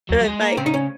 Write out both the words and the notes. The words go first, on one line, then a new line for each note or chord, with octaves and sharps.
Alright. Bye.
F#3
F#3
G#3
A#3
C#3 C4
D#4
C#4